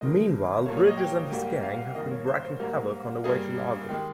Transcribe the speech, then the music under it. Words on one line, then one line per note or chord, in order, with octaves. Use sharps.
Meanwhile, Bridges and his gang have been wreaking havoc on their way to Lago.
D#2 D#3 G#3 D#5
A#2 G3 A#3 C#5
C#5
D#5
G5
G#2 G3 A#3
F5
G2 D#3 A#3 D#5
C#5
C5
C5
G#2 G3 A#3 A#4
G2 G3 A#3 G#4
D#3 G#3 G4